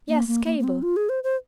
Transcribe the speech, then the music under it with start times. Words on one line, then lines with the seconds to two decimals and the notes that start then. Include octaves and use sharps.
'Yes, cable.
0.08 A#3
0.28 A#3
0.45 A#3
0.59 A#3
0.64 C4
0.82 F4
0.96 G#4
1.09 C5
1.24 C5